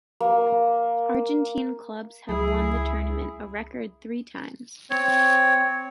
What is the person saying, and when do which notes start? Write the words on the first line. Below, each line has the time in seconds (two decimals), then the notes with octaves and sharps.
Argentine clubs have won the tournament a record three times.
0.20 A#3
2.29 C#2 F#3 E4 G#4
4.90 C4 C#5